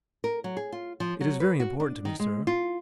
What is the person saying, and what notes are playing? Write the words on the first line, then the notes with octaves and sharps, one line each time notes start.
"It is very important to me, sir."
A#4
F#3
G#4
F4
F3
F#3
B4
F#4
D4
D#3
G#3
F4